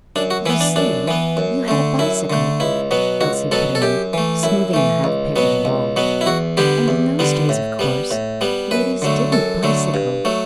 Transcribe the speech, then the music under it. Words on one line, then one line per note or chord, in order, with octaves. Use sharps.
'You see, you had a bicycle,' Elsie put in, smoothing the half-papered wall; 'and in those days, of course, ladies didn't bicycle.
F#2 D4
F#4
E3 B3 E4
D4
F#2 D4
E3 B3
F#2
D3 A3
F#2 E4
D3 A3
C#2 E4
B2 F#3 B3
C#2 F#4
B2 F#3 B3 A4
A4
F#2 G4
E3 A3
F#2 E4
E3 A3
C#2
B2 F#3 B3
C#2
B2 F#3 B3
E4
E2 F#4
D3 G3 B3 G4
E2
D3 G3 B3
A2
G3 B3
A2
G3 B3
F#2 B4
D3 F#3 A3
F#2 A4
D3 F#3 A3
G2
F#3 A3